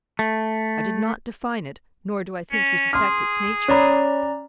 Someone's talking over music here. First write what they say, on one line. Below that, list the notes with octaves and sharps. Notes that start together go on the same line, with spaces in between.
I did not define it, nor do I think you suspect its nature.
A3
C#4
G#4 C6 F6
C#4 C#5 D5 A#5 B5